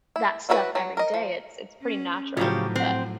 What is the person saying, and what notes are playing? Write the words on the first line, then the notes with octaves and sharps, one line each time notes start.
that stuff every day, it's it's pretty natural, but
E4
F#3 E4 F#4 A#4 B4
F#3 C#5
A#4 D#5
F3
C#4
A2 C#3 F3 F#3 F4 G4
C4 C5 F#5